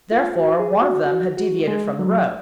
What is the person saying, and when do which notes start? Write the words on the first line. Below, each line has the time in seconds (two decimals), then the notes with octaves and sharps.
Therefore, one of them had deviated from the road.
0.12 F4
0.36 F#4
0.59 G#4
0.82 F#4
1.06 F#4
1.37 F#4
1.68 G#3
1.99 F#3